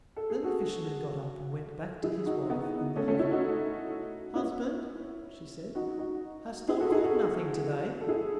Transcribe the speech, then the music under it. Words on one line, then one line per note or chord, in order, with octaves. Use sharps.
Then the fisherman got up and went back to his wife in the hovel. "Husband," she said, "hast thou caught nothing to-day?"
A4
G#4
F#4 A4
E4 G#4
D#4 F#4
B3 D#4
A3 C#4
A3 C#4
C#4 E4
D#4 F#4
C#4 E4
D#4 F#4
D#4 F#4
E4 G#4
F#4 A4
E4 G#4
F#4 A4
A4
E4 G#4